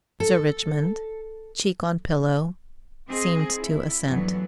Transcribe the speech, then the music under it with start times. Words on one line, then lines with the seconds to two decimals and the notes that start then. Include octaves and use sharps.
Sir Richmond, cheek on pillow, seemed to assent.
0.20 A4
3.08 C4 G#4 D#5
3.57 E4
4.04 D2 G2 E3 F#3 B3